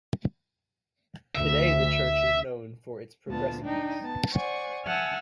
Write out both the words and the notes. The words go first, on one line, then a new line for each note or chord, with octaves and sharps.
Today the church is known for its progressiveness.
D2 E5
D2 A#2 B3 F4 A5
D4 D#4 G5
B3 A5
C5 D5 F#5 G#5 C#6
E5 F#5 G#5 A5 E6 F6